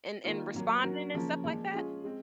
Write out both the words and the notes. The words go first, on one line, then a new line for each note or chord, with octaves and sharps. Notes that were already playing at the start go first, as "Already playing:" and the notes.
and and responding and stuff like that?
D#3 A#3 F4
A#2 F#3 A#3
F#3 C#4 F#4 A#4
C#3 F3 A#3 C#4
A#2 F3 G#3
G#3 C#4 F4 G#4
G#3 C4